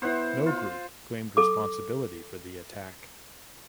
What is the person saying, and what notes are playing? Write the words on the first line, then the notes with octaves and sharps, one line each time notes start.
No group claimed responsibility for the attack.
B3 E4 C5 F#5
F4
A4 D6